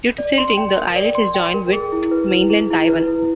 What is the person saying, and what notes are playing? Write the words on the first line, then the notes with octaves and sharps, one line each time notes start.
Due to silting, the islet has joined with mainland Taiwan.
D5
C6
G5
A#4
D5
C6
G5
A#4
G#4
E4
B4
E4
G#4
E4
B4
E4